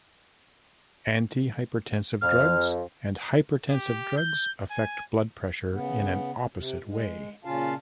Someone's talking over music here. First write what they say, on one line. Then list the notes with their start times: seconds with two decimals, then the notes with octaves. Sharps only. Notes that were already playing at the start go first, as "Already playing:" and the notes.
Antihypertensive drugs and hypertensive drugs affect blood pressure in an opposite way.
2.22 F2 F6
3.70 G4
4.18 G6
4.71 G#5
5.72 C#3 B3
6.55 C3
6.85 G#3
7.45 A#2 C#3 C#4 F4 F5 A5